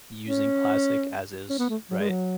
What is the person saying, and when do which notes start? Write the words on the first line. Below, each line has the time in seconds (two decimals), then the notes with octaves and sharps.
using plastic as is, right?
0.27 C#4
1.49 C#4
1.59 B3
1.69 A3
1.90 F#3
2.00 G#3
2.09 F#3